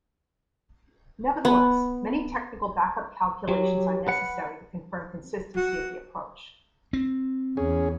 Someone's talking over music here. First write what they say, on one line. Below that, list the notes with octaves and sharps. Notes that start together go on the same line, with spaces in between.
Nevertheless, many technical back up calculations are necessary to confirm consistency of the approach.
B3
F#3 G4 C#5
B4 F#5
F#4
C4
E2 C#4 G#4